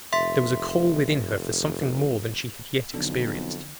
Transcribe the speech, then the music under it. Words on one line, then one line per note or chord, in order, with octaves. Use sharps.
There was a call within her for something more than she had yet experienced.
F1 E5 C6 B6
B1 F2 D3